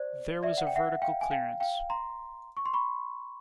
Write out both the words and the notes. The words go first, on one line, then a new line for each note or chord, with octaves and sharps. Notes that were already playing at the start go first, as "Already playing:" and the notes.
There was a vertical clearance.
Already playing: C5 D5
D5 E5
F#5
G5
E5 F#5
F5 G5
G#5
F5 G5
F5 G5
A#5 C6
C#6
C6
B5 C#6